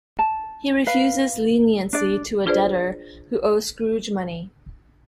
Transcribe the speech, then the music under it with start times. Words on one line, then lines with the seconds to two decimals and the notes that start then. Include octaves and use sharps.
He refuses leniency to a debtor who owes Scrooge money.
0.19 A5
0.87 B4 F5
1.93 D4 D5
2.46 D4 F4 G#4 B4 C5 D5